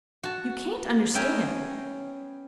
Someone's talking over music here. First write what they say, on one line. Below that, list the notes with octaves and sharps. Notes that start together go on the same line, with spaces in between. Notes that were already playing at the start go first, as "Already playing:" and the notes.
You can't understand.
F#4 A5
B3 C#4 E5 G5 G#5 A#5